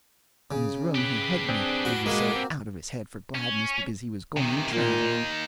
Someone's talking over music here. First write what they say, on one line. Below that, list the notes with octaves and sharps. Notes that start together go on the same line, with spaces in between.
Up in his room he hugged me, he was so out of his head for gladness because he was going traveling.
C#3
G4 B4
C4 D4 G#4
F#4
G#3 A#3 F#4
C4
C#4
C3 D#3
A#2 A#3 D#4